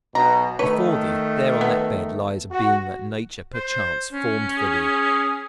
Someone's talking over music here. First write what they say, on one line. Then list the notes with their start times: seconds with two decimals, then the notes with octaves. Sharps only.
Before thee, there on that bed, lies a being that nature, perchance, formed for thee.
0.15 B1 B2 A#5
0.59 D#3 A3 B4 C#5
1.61 B3
2.50 F#4
3.54 C5
4.12 C#4
4.58 G#4